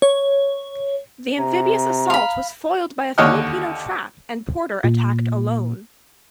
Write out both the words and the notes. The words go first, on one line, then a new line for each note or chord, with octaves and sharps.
The amphibious assault was foiled by a Filipino trap, and Porter attacked alone.
C#5
C3 A#5
F5 B5
D#2 D3 C#5 D#5 F#5 F6
A#2